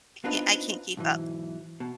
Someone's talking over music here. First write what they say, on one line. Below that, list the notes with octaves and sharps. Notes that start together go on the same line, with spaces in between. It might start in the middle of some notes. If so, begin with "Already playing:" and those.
ca I can't keep up.
B3 C4 D4 D#4 F4 B4
B1 G#2 E3
B2